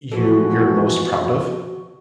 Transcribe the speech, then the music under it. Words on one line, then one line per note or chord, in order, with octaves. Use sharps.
you you're most proud of?
E2 E3 F3 F#4 A4